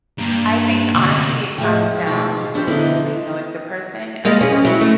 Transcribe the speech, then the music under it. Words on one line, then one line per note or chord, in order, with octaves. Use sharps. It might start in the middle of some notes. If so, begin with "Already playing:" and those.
I think honestly, it comes down to just really knowing the person, like,
G2 A#3
D2 C3
E2 A2 F3 G#3 G5
B2 D#3 F3 F4 D5
B2 D4 G4 C5
D3 E3 A3 B3 D#4 E4
G3 G#3 A#3
C#4 G#4
F#3 E4
A3